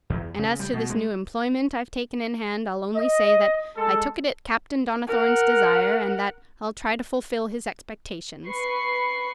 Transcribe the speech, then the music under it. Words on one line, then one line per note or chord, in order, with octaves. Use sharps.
And as to this new employment I've taken in hand, I'll only say that I took it at Captain Donnithorne's desire, and that I'll try to fulfil his expectations.
E2
C#3
G3
B2
G#3
D#5
G#3 A4
A#4 F#5
B4 C#6 C7